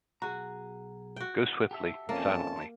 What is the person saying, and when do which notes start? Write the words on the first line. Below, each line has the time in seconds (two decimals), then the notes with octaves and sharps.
Go swiftly, silently.
0.22 B1 F#4 G#4 A#5
1.16 F#4 G5
1.71 G4 A4 E5
2.09 F2 A#3 C#4 A5